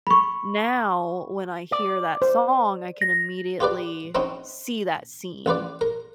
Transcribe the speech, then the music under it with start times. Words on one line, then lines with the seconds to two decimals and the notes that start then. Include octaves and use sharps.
now when I hear that song, I can immediately see that scene
0.07 B5 C#6
1.72 D5
2.22 C5
3.01 A#6
3.60 F4 G4 B4 D5
4.15 F#3 C4 C#4 D#4 E4
5.46 A1 F4 B4 D5
5.81 A#4